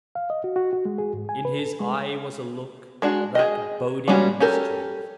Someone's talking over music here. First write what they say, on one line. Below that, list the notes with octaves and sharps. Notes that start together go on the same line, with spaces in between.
In his eye was a look that boded mischief.
F5
D#5
F#4
F#4
F#4
G#3
G#4
G#2
G#5
B4
A4
G#3
G#3 D4 F#4
G#4 D#5
G3 G#3 A#3 C#4 F#4
C#4 G4 A4 A#4